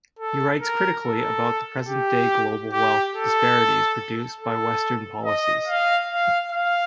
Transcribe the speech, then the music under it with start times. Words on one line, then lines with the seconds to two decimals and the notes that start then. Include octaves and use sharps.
He writes critically about the present-day global wealth disparities produced by Western policies.
0.19 A4
0.61 A#4
1.03 A4
1.88 G4
2.73 G4
3.15 A4
4.41 A4
5.25 D#5
5.67 F5
6.09 F5
6.52 F5